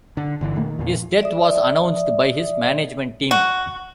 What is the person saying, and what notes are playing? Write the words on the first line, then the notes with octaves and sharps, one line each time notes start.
His death was announced by his management team.
D3
G1 D3 E3
A#2 D#3 A3 A#3
D#3
E2 A#2
D5 E5 D#6
F#4